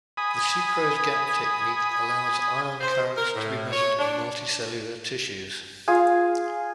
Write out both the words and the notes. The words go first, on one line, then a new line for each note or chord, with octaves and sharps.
The sucrose gap technique allows ion currents to be measured in multicellular tissues.
G#5 B5 D#6
C5
A#4
A2
C#5
D4
F4 G#4 G#5